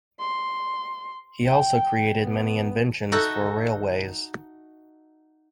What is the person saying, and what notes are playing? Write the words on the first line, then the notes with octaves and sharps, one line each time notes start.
He also created many inventions for railways.
C6
G5
B3
D#4 F#4 A4 E5 F#5